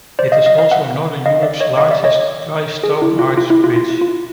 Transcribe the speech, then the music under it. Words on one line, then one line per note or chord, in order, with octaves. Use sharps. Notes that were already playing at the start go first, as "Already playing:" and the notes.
It is also Northern Europe's largest dry stone-arch bridge.
C5 D5
D#5 F5
D#5 F5
D#5 F5
E5 F#5
D#5 F5
D5 E5
C#5 D#5
D#5 F5
D5 E5
C#5 D#5
G#4
E4
F4
F4
E4
F4
F4
E4
F4
E4